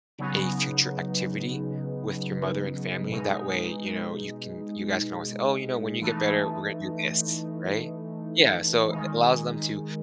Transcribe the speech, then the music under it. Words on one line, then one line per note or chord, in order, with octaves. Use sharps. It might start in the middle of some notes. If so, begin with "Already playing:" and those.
a future activity with your mother and family. That way, you know, you can you guys can always say, "Oh, you know, when you get better, we're gonna do this," right? Yeah, so it allows them to
C#3 F#3 B3 D#4
B2 G#3 D#4
E3 A3 D#4
D#3 G#3 D#4